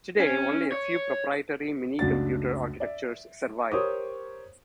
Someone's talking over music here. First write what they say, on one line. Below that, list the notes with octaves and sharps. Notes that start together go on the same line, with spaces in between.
Today only a few proprietary minicomputer architectures survive.
C#4
C#5
C#2 F#2 A3 D4 F#4 A6
D5 E5
G4 A#4 C5 C#5 D6 D#6